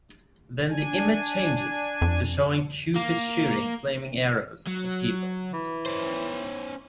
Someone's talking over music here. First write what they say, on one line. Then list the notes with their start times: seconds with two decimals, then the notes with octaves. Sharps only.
Then the image changes to showing cupid shooting flaming arrows at people.
0.69 D4 G#5
2.02 F2
2.96 A#3
4.67 F#3
5.54 E3
5.86 C#4 C5